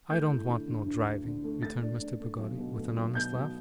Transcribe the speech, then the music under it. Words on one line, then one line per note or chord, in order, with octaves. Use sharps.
I don't want no driving,' returned Mr. Peggotty with an honest laugh.
A3 G6
E4
D3
D3
D2
D2
D3
A3
A3 A6
D4
D4
A3
B1
B2
A3
B1
B2 G6
B1